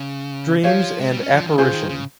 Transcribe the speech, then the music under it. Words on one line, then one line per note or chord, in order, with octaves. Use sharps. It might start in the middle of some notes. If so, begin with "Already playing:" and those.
Dreams and Apparition.
Already playing: C#3
F3 G4 C#5 F5
G#3
G3
C4
C#4
F3
D#3
C#3 F4 G#4 C5
D#3
C#3